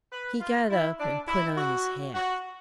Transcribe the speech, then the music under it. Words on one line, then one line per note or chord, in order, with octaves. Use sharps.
He got up and put on his hat.
B4
F4
E4
D4
E4
F#4
F#4